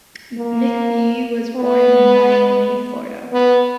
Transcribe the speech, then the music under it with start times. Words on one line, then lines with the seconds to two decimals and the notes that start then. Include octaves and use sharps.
McPhee was born in Miami, Florida.
0.38 A#3
1.56 B3
3.33 B3